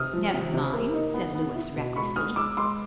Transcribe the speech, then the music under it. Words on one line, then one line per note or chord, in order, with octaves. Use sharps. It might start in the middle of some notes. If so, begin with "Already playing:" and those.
"Never mind," said Louis recklessly.
Already playing: C3 D#6 F6
F3
C3
C3
A#3
D#4
B3
B3
E4
B2
G#3 B5 C#6
B3 D#6 F6
G#3 D6 E6
G#3 C6 D6